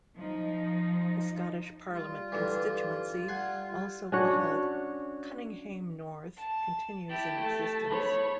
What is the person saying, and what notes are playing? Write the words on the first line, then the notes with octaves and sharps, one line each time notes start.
The Scottish Parliament constituency also called "Cunninghame North" continues in existence.
F3 D#4
G3 F4
G2 D3 E3
G3 F#5 G#5 C6
C#4 D4 F#4 C#5
A5
E4 G4 A5
A3
C#5 B5